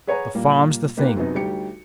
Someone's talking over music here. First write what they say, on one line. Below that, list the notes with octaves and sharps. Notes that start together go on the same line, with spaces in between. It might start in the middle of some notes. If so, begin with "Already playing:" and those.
The farm's the thing.
G#4 B4 C#5 F#5 G#5 A#5
A#2 G3 A#3
A#3 D#4 G4 B4
F#2 C3 F#3 B3 D#4
D2 G3 D#4 G4 C#7